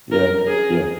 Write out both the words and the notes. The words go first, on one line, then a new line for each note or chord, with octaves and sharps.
Yeah, yeah.
A#4
G#4